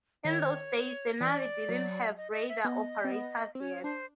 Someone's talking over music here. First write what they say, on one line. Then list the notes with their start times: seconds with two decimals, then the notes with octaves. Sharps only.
In those days the Navy didn't have Radar Operators yet.
0.25 D#3 C#5
1.20 E3 D5
1.68 F#3
2.17 D#5
2.32 D#5
2.49 E5
2.64 B3 D#5
3.04 C4
3.12 B3
3.55 C4
3.60 C#4 C#5
3.84 D4 C5